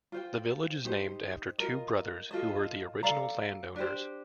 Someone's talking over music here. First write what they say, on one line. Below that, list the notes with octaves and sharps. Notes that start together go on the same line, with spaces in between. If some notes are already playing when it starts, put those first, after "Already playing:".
The village is named after two brothers who were the original landowners.
F4 C5 G5
D#4 G4 C5
F4 A#4 D#5
F4 A4 D#5
A4 D5 F5 A#5
D4 G4 C5